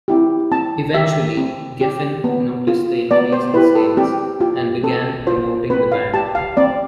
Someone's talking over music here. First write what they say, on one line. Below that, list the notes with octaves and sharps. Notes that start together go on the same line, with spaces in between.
Eventually, Geffen noticed the increase in sales, and began promoting the band.
C4 E4 G4
C4 A5
G4 E5
C4
G4
B3
F4
B3 D5
C5
E4 G4 B4
A4
C4 G4
F4 G4
C4 A4
F4 C5
C4 B4
F5
G4 A5
F5
C4 D5